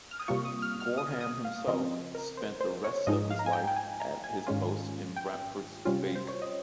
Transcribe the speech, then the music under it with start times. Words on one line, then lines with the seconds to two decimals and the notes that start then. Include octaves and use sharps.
Gorham himself spent the rest of his life at his post in Brampford Speke.
0.11 F6
0.20 D#6
0.28 C3 G3 A#3 F4 C#6
0.45 D#6
0.62 F6
0.80 F6
0.98 D#6
1.21 D#6
1.45 F5
1.67 C#3 F3 C4 D#5
2.15 A#4
2.37 C5
2.61 C5
2.84 C#5
3.07 G#2 F3 G#3 D#4 D#5
3.30 F5
3.39 A#5
3.46 G#5
3.53 G5
3.67 G5
3.76 G#5
4.00 A#5
4.24 G#5
4.47 G#2 D#3 G#3 C#4 F4
5.16 G5
5.85 C3 G3 C#4 F4
6.15 C5
6.28 C#5
6.42 D#5